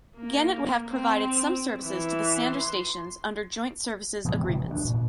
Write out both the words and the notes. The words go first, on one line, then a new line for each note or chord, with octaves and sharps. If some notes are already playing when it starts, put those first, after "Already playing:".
Gannett would have provided some services to the Sander stations under joint services agreements.
A#3
C4
E3
C6
B2 E3 G3 G#3
D#1 G#1 C#2 C3
E3
D2 G#3 D4
A#2